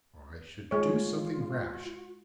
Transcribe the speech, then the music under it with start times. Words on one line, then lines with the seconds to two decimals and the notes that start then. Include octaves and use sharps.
"I should do something rash."
0.71 G#3 F4 C#5